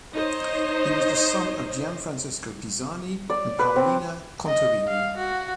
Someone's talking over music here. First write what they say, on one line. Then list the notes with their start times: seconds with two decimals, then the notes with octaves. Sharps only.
He was the son of Gianfrancesco Pisani and Paolina Contarini.
0.13 D#4 C5 C#5 D#5
3.30 D5
3.59 B4
3.76 C4
4.47 D#5
4.88 F5
5.18 F#4